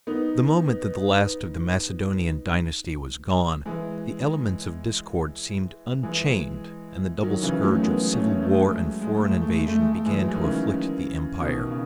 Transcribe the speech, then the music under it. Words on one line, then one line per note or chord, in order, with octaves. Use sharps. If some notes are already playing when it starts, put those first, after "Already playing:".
The moment that the last of the Macedonian dynasty was gone, the elements of discord seemed unchained, and the double scourge of civil war and foreign invasion began to afflict the empire.
B3 D#4
E3 G#3
E3 G#3
D#3 F#3
C#3 E3
F#3 A3
G#3 B3
A3 C#4
A3
G#3
F#3 A3
G#3
A3
G#3
A3
G#3
A3
G#3
A3
E3 G#3
F#3
E3
D#3
C#3 E3
B2 D#3
C#3